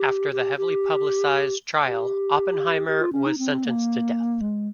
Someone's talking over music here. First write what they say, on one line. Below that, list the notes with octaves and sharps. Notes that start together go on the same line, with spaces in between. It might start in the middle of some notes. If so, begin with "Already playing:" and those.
After the heavily publicized trial, Oppenheimer was sentenced to death.
Already playing: G4
G4
G4
G4
G4
F4
C#4
D#4
C4
A#3
G#3